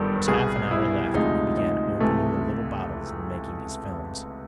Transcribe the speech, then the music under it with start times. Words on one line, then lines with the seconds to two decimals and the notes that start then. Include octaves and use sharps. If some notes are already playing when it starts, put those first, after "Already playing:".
There was half an hour left when he began opening the little bottles and making his films.
Already playing: G1 G2 D#3 G3 A4 D5
0.28 C2 B2 G3 G#4
0.71 E4
1.13 D2 C3 F3 G#3 D#4
1.57 D#4
2.00 C#2 C3 E3 A3